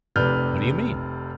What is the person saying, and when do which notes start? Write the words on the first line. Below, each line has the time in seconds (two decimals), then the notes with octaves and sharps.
"What do you mean?"
0.16 F1 C3 B4 D5 F6 G6